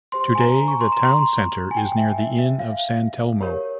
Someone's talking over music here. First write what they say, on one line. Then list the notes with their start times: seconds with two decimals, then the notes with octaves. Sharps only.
Today the town centre is near the Inn of San Telmo.
0.12 G4 C5 C6
0.35 G#5
0.40 A#5
0.68 C#6
0.81 C6
0.92 A#5
1.05 C6
1.71 G#5
1.77 G5
1.97 E5
2.18 E5
2.39 E5
2.59 F5
3.41 G4 A#4 C#5